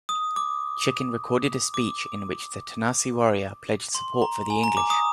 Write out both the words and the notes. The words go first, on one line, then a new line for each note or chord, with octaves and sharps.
Chicken recorded a speech in which the Tanasi Warrior pledged support for the English.
D#6
D6
D6
C6
A#5
G#5
A#5
D6
D#6